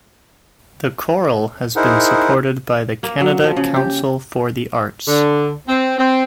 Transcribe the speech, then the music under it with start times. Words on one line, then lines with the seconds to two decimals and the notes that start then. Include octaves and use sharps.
The Chorale has been supported by the Canada Council for the Arts.
1.76 D#4 E4 G#4 A#4 C5 F#5
3.03 A#3
3.21 F#3
3.44 F3
3.56 C#3
3.76 G4
5.08 D3
5.67 C4
5.98 C4